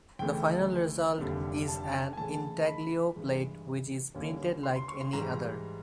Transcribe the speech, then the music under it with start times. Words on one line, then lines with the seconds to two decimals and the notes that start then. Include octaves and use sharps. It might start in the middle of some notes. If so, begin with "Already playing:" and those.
The final result is an intaglio plate which is printed like any other.
0.19 D2 C#3 E3 A3 G5
1.18 F1 D#2 D3 G3
1.68 A5
2.13 G#5
2.17 D#2 C#3 E3 A3 A5
2.66 B5
3.15 G2 E3 G#3
4.14 D#2 D3 G3 A#3 C#4
4.63 C6
4.76 C6
4.88 C#6
5.01 C6
5.13 G#2 E3 G3 A#5